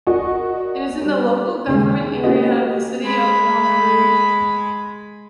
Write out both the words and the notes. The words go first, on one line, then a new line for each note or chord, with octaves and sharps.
It is in the local government area of the City of Wanneroo.
F#4 A#4 D5 D#5 C#6
G3
D#2 C#3 G#3
A#3 C#4 F#4 G4 D#5
G#3 B5